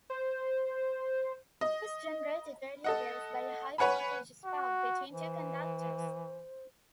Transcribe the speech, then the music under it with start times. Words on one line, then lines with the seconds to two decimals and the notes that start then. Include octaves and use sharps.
These generated radio waves by a high voltage spark between two conductors.
0.10 C5
1.61 D#5
2.84 A4 D#5 F#5
3.78 B4 C#5 F#5 G#5 B5
4.45 F#4
5.12 E3 C5